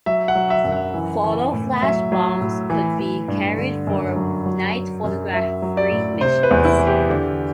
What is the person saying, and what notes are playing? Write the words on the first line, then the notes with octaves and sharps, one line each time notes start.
Photo-flash bombs could be carried for night photography missions.
F#3 E5
F#5
F#3
E5
F#2
F#5
E3
E3
A2
F#3 E5
F#3
A2
E3
E3
G2
D3
F#2
F#3
F#3
F#3
F#2
F#3 E5
F#3
D5
A2
C3 C5
B4
E2
E4
E3
G4
D3